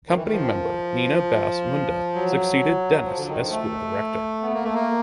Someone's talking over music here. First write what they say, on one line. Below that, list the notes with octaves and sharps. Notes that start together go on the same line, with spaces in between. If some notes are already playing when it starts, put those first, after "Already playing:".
Company member Nina Bass Munda succeeded Dennis as school director.
D#3
E3
D#3
F3
F#3
F3
D3
D#3
F3
A3
B3
A#3
A3
A#3